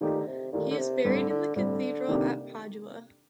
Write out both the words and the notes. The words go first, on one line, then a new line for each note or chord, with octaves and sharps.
He is buried in the cathedral at Padua.
A#2 D#3 A3 D#4 G4
D3
C3
A#2 D#3 A3 D#4 G4
D3
C3
A2 D3 G3 C4
D3
A2 D3 G3 C4
C3 D#3 A#3 D4 G4